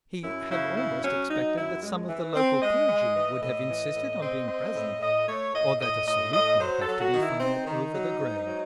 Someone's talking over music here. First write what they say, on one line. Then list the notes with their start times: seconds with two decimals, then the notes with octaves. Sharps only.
He had almost expected that some of the local clergy would have insisted on being present, or that a salute might have to be fired over the grave.
0.23 F#2 E4
0.49 C#3 E4
0.76 F#2 E4
1.02 F#3 C#4
1.29 F#3 D#4
1.56 F#2 E4
1.83 G#3
2.09 E3
2.35 C4
2.62 G#3 D#5
2.88 G#3
3.15 E3
3.42 A2 D#5
3.68 E3
3.95 A2
4.21 C4 D#5
4.48 C4
4.74 A2
5.01 A2 D#5
5.27 A3 C#5
5.54 A2 D#5
5.81 A2 D#5
6.07 A2 D#5
6.34 A2 D#5
6.60 F#3 C5
6.81 A4
6.87 F#3
7.00 F#4
7.13 D#3
7.20 E4
7.40 C4 D#4
7.67 D#3
7.93 F#3
8.19 G#2
8.47 F#3